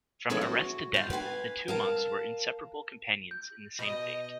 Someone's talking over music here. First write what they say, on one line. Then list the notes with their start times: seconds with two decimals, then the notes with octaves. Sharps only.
From arrest to death the two monks were inseparable companions in the same fate.
0.30 F3 C#4 E4 G#4 A4 B4
0.41 F#4
0.94 F4 C5
1.10 B4 F5 F#5 G#5
1.68 A#4 F5 A5
3.31 G6
3.79 B2 D#5